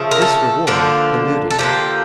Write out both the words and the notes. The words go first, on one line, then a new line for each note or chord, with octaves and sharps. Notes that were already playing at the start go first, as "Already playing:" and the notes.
This reward eluded him.
Already playing: C#3 F3 A3
A#4
A4
D3 F3 A#3 D4
A4
D3 F3 A#3 G4